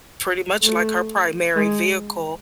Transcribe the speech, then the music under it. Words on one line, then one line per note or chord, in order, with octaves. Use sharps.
pretty much, like, her primary vehicle,
A3
G#3